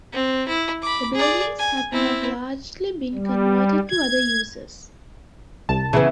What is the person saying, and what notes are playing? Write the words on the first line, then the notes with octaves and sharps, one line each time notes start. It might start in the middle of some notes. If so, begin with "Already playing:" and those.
The buildings have now largely been converted to other uses.
C4
E4
B5 D6
G#4 D5
G#5
C4 E4
G3
G#6
C2 A5
C#3 E3 B3 E4